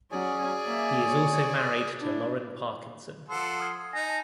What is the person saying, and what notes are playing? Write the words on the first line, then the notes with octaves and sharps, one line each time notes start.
He is also married to Lauren Parkinson.
F#3 C#4 G#4 D5 G#5
A#3 E5
C#5
D4 E4
F3 A4 F#5 C6
D#6 F6 G#6
D#4 G#5 A#6
A5